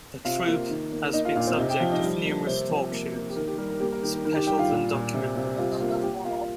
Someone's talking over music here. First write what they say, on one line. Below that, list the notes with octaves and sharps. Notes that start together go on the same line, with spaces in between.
The troupe has been subject of numerous talk shows, specials and documentaries.
C3 F4 F5
A#3
D#3
A#3
A#3 D#4 D#5
F4 F5
A#2 F4 F5
C4 C5
C3 D#4 D#5
G4 G5
F3 F4 F5
D#4 D#5
G3
A#3
C3 C4 C5
F3
A#3
A#3
G4
D#3 A#4
G4
G3 A#4
A#4
A#3 G4
A#4
D#3 G4
A#4
D#3 A#4
G4
G3 G4 G5
F4 F5
A#2
A#2
C3
C3
G3 F4 F5
A#3 F4 F5
A#3 G4 G5
A#3 F4 F5